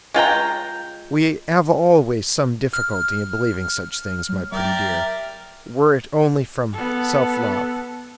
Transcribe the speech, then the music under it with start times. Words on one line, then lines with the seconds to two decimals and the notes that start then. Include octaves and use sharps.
"We have always some difficulty in believing such things, my pretty dear, were it only from self-love."
0.14 G#3 F4 G5 A#5
2.73 F6
4.29 F#3
4.52 G4 A#4 D5 E5
6.74 B3 A4